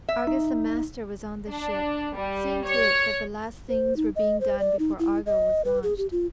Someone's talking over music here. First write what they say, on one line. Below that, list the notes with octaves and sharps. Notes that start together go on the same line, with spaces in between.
Argus the master was on the ship, seeing to it that the last things were being done before Argo was launched.
E5
D#4
D4
G3
C#5
C5
D#4
D#5
C5
D5
D#4
E4
D#5
B4
G#4
G4
F4